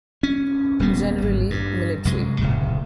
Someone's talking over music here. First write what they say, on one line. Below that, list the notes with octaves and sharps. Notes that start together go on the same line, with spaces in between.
Generally military.
C#4
D#1 G3 A#3 B3
G#1
G2
C2 F#2 G#3
D1 A#2 C#3